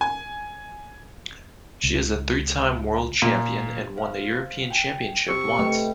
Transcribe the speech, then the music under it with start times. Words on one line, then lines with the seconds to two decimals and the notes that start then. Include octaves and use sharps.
She is a three-time world champion, and won the European championship once.
0.01 G#5
1.84 C#2
3.22 A#2
3.97 C5 F5
4.71 G5 G#5
5.28 C3 C#6 E6
5.59 A3 B4 D#5 G5